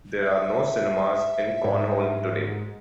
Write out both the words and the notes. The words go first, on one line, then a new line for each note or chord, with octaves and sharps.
There are no cinemas in Cornholme today.
E5
G#2